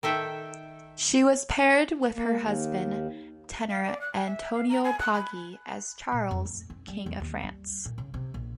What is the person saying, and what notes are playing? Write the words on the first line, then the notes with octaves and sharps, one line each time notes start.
She was paired with her husband, tenor Antonio Poggi, as Charles, King of France.
D#3 A4 E5 G5
A#3
D#2
F5
D5
F#6
G#5
E5
F5
A#5
G#5
F#6
B5
A#2
F2
A3
C4
G3
E2
D#2
G3
A#2
C#3
C3
A#1